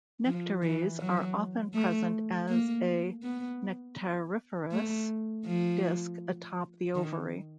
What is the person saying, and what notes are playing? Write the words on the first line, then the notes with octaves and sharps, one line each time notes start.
Nectaries are often present as a nectariferous disk atop the ovary.
F3
E3
F#3
A3
A#3
B3
A3
F3
D#3